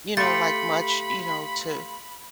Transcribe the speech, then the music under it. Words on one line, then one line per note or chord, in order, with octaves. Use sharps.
you know, like much, you know, to
A3 G4 F5 B5 C6 A6 C#7